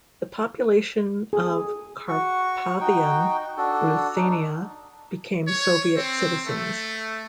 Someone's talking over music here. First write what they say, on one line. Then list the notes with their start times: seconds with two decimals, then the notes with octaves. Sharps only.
The population of Carpathian Ruthenia became Soviet citizens.
1.33 G#4
2.09 F#4 C#6
2.81 D#4 F#4 G5
3.58 D4 F#4 A4
4.15 D4 D#4
5.47 C#5
5.97 C4
6.46 A3